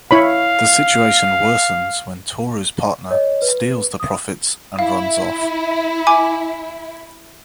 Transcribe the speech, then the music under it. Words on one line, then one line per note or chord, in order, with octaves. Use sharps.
The situation worsens when Toru’s partner steals the profits and runs off.
E4 C#5 F5 B5
C#5 D#5
B4
D#6
E4 F5
G#5 D6